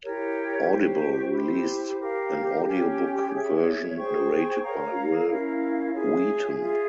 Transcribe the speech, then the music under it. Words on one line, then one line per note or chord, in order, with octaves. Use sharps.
Audible released an audio book version narrated by Wil Wheaton.
E4 G4 A#4 C#5
G4 C5 G5 C#6
E4 G4 C5
G4 A#4 F5
C#4 G4 C#5 G5
G#4 C#5 E5
G#4 C5 G5 C#6
A#4 C#5 F5 A#5
C#4 E4 A#4 F5
F4 G#4 C#5 E5
F4 G#4 E5